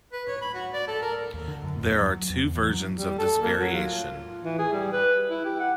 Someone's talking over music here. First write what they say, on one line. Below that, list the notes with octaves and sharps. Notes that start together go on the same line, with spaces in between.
There are two versions of this variation.
B4
C#5
B5
F#4
D5
A4
A#4
D#2
D3
F#2
E2
F#3
E2
E3
F#3
G3
A4
A#3
F#3
F4
E3
G#4
G3
B4
E4
G4
F#5